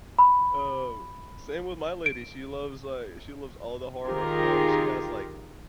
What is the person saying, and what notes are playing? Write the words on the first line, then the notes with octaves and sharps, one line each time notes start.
Oh, same with my lady. She loves, li she loves all the horror films. She has, like
B5
D7
D#3 F4 G4 G#4 A#4